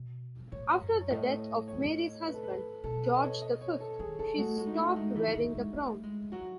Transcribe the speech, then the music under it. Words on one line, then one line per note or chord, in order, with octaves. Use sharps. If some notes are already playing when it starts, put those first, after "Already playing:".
After the death of Mary's husband, George the Fifth, she stopped wearing the crown.
Already playing: B2
A2 C#5
F#2
C#5
A2 D#5
C#5
B4
A4
B4
B2 A4
B4
D#5
C#5
D#5
C#5
A4
D#3 G#4
D#3 A4
A3 F#4
G#3 F#4
D#4
E4
A3
D#4
G#3
E3 E4
C#3
G#3
A3
G#3
F#3 F#4